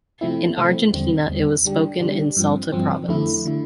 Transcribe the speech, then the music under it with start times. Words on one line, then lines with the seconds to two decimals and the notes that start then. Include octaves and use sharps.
In Argentina, it was spoken in Salta province.
0.21 C3 F3 A3 C4 E4
0.57 C3 F3 A3 C4 E4
0.93 E2 D3 G3 C4
1.29 E2 D3 G3 C4
1.65 D3 G3 D4 G4
2.01 D3 G3 D4 G4
2.37 G2 F3 C4
2.72 G2 F3 C4
3.08 F2 D3 A3 E4
3.46 D3 A3 E4